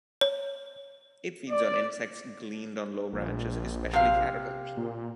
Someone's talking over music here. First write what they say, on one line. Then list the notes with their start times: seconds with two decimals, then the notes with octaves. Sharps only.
It feeds on insects gleaned on low branches, especially caterpillars.
0.21 C#5
1.50 D5
3.13 A#1
3.93 C3 F5
4.77 A#2